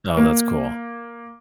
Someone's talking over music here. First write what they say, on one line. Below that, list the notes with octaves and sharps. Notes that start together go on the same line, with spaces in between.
Oh, that's cool.
A#3